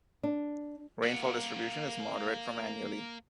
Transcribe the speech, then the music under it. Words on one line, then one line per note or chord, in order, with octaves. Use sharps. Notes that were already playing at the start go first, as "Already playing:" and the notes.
Rainfall distribution is moderate from annually.
D4
A#3 F#5